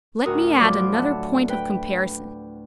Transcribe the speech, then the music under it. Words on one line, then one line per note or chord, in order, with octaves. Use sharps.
Let me add another point of comparison.
D2 A2 F#4 A#4 D#6
F3 F#3 D5 B5 D6
E5 F#5 A5
B4 G5 B5